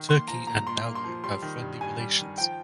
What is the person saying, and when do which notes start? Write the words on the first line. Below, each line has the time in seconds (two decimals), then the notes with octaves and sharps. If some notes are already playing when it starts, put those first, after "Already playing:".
Turkey and Nauru have friendly relations.
Already playing: D#3
0.09 A#3 C6
0.28 F3 A#5
0.47 A#2 A#5
0.66 A#2 C6
0.86 A#3
0.95 C6
1.04 F3
1.24 G3 C6
1.42 D#3
1.62 G2
1.81 G2 G#5
2.00 G3
2.19 D#3
2.38 F3 G5